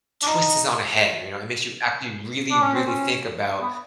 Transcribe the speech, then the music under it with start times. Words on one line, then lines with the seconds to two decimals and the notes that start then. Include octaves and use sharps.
twists it on a head, you know? It makes you actually really, really think about
0.23 D4
0.27 D#4
2.50 D4
2.62 C#4
2.74 C4
2.86 C#4
3.62 B3